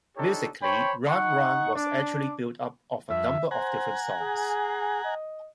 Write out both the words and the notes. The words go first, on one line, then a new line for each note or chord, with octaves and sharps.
Musically, "Round Round" was actually built up of a number of different songs.
D4 D#4 G4 A4 C#5
C5 C#5 G5 A5 B5 C#6
D#4 F#5 C#6
D4 D6
F2 E5
C5 F#5 G#5 A#5
G#4
D#5